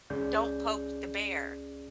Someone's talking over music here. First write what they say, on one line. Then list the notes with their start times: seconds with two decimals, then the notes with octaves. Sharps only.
don't poke the bear
0.10 C#2 C#4 G#4 D5 G6